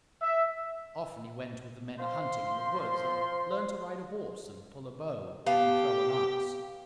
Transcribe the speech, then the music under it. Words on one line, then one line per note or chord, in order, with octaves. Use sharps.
Often he went with the men a-hunting in the woods and learned to ride a horse and pull a bow and throw a lance.
E5
F3 C6
B3 G4 F5 A5